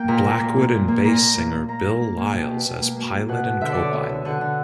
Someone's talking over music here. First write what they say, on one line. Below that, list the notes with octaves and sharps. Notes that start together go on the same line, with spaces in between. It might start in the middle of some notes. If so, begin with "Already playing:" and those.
Blackwood and bass singer Bill Lyles as pilot and co-pilot.
Already playing: A#3 G5
A#2 A#5
A#2
A#2
A#3
A#2
A#3
A#2 A#5
A#2
A#3
A#3
A#3 A#5
A#3
A#3
A#3
B2 G5
B2
B2
A#3
A#3
A#3
B2 F#5
B2
D3 E5
D5
D3
C#5
B3 E5
D3
D3 F#5
D3